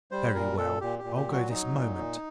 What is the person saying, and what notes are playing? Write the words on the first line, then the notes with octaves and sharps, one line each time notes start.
Very well, I'll go this moment.
G3 C5
A#2 A#4
A#2 A4
A#2 G4
G4
A#2
G4
F#3
F#4
F#3 D#4
A#2
A#2